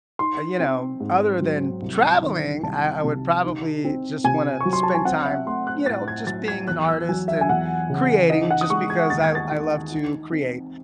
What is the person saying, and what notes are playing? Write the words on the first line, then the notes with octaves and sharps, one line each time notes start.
you know other than traveling, I I would probably just wanna spend time, you know, just being an artist and creating just because I I love to create.
D#4 C6
C4
G#2
F#3
C2
D#3
C2 A5
C3
D#4
C4
C3 G#5
F#3 C#6
C6
A5
G#5
C4 F#5
E5
A3 C6
F#6
A2 A6
G#6
F#3 A6
G#6
E2 F#6
E6
F#3 G#5
E5
G#5
E2 F#5
C#3
D#4 D#5
F#5
D#6
G#3 C#6
G#6
D#2 A6
G#6
A6
D#3
D#4
C4